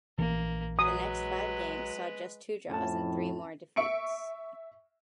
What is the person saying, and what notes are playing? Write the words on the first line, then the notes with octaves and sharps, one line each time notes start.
The next five games saw just two draws and three more defeats.
A#1 E3 A#3
F#3 G#3 B4 D#6
F2 A2 C#4 A5
E5 C#6 C#7 D7